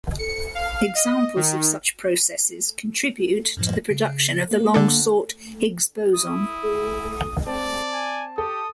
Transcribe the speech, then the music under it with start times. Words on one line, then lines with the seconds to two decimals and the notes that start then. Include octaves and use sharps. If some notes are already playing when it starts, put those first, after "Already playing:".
Examples of such processes contribute to the production of the long-sought Higgs boson.
0.19 C#7
0.55 F5
0.95 D#5
1.36 D#3
3.57 F#2 A2 F3
3.90 C#3
4.51 A#3
4.74 D3 D4 A4
6.14 E4 D#6
7.46 C4 D5 A5
7.93 G#5
8.38 G4 A4 D#6